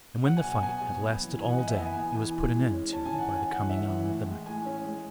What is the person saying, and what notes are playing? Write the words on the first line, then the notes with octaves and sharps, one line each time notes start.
And when the fight had lasted all day, it was put an end to by the coming on of the night.
F#3 F#5
G#5
B2
G#5
B2 G#5
F#3
B3
E3
B3 G#5
F#5
E3 D#5
E5
B3 G#5
B3 G#5
E3 G#5
E3
G#3
C#4
C#4 A5
G#5
D#3
F#5
C#4 G#5
E3 F#5
C#4 E5
E3
A2
G#3
A2 G#5
C#4
G#3